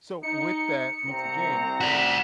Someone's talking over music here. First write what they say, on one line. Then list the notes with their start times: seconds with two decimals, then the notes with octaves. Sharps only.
so with that, once again,
0.23 D#4 C#7
1.06 C2 C4 A#5
1.80 F#4 D5 B6